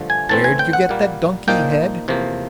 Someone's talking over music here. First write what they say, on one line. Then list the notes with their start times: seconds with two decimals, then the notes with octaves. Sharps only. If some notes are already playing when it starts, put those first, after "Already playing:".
Where did you get that donkey head?
Already playing: G2 D3 F3 A3
0.10 G#5
0.29 A2 E3 A3 C4 A5
0.44 G#5
0.59 G5
0.73 F#5
0.89 A#2 G3 A#3
1.48 A#2 F3 A#3 D#4 G5
2.08 E2 C3 F3 A#3